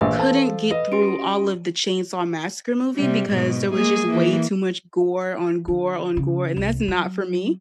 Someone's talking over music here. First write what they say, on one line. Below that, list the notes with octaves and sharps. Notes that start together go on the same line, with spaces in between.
couldn't get through all of the Chainsaw Massacre movie because there was just way too much gore, on gore, on gore, and that's not for me.
A#1 E3 B4 F5 E6
A4 C5 A5
B4 D#5
C#4 F#4 G4 C6 D7
C3 G3
G#2 B2
G#3 A#3 G#4
E3 A#3
D3
C#3
C2
F#3